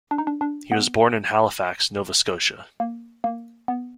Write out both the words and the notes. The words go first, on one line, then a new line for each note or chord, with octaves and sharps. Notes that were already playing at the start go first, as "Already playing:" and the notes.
He was born in Halifax, Nova Scotia.
D4
D#4
D4
D4
B3
A#3
A#3
B3